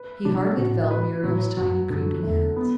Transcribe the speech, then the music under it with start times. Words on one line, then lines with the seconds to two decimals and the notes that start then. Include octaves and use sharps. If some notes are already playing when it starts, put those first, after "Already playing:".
He hardly felt Muriel's tiny creeping hands.
Already playing: B4
0.25 B2 D4
0.57 A2 F#4
0.91 B4
1.24 A2 F#3
1.57 F#2 F#4
1.90 F#2 D3
2.23 E2 A3
2.56 B3